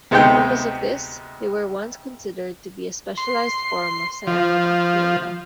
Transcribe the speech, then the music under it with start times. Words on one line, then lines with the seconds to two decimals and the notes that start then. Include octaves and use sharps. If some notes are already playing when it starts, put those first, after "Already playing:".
Because of this, they were once considered to be a specialized form of cyanobacteria.
0.11 D2 C3 G#3 B3 D#4 G5
3.18 C6
4.27 F3